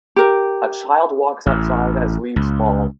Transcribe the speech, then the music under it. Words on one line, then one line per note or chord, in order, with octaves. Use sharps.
A child walks outside as leaves fall.
G4 A#4
A1
C#2